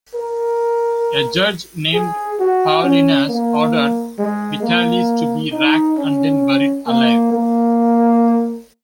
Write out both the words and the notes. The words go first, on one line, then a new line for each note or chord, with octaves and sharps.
A judge named Paulinus ordered Vitalis to be racked and then buried alive.
A#4
G#4
F#4
C#4
A#3
G#3
A#3
D#4
C#4
A#3
A#3